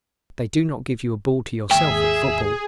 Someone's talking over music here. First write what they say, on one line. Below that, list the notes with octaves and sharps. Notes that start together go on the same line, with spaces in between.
They do not give you a ball to yourself at football.
D#2 G#2 G#4 E5 G5